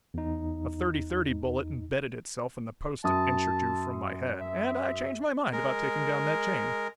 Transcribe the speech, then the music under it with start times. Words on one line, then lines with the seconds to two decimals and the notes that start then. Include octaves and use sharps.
A thirty-thirty bullet embedded itself in the post an inch or two from my head, and I changed my mind about taking down that chain.
0.14 E2 D#4
3.04 F#2 A5 D#6
4.41 E5
5.52 G#3 A#4